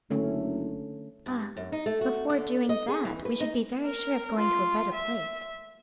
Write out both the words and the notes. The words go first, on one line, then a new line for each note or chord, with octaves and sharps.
"Ah, before doing that we should be very sure of going to a better place."
F#1 D3 A3 C#4
G2
F#2
D#4
A3
F#4
D3
D#5
G#4
E3
B4
D#4
A#4
F4
E5